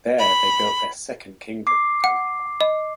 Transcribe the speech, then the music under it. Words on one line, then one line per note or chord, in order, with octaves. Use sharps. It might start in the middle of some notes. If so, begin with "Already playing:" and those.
There they built their Second Kingdom, Valinor.
B5
D6 C7
F#5
D#5